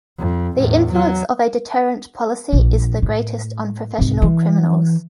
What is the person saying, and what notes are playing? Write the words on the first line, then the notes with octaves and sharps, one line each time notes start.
The influence of a deterrent policy is the greatest on professional criminals.
F2
E2 A2
F#3
A#1
A2
C2 G#2
E3